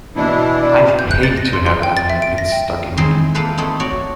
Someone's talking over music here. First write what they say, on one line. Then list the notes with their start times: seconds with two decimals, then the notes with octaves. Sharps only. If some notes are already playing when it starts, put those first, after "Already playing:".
I'd hate to have that many pins stuck in me!
0.16 B2 E3 D4 E4
0.58 D5
0.99 G6
1.11 F#6
1.23 A6
1.37 A#6
1.53 C6
1.66 C6
1.83 G5
1.97 A6
2.10 E5
2.22 D7
2.38 A#6
2.52 G5
2.97 D#3 E3 G#3 C4 D#4 C6
3.35 A#2 A#3 A4 B4 C5
3.58 A3 C4 D#4 E4
3.80 F#4 C#5 D5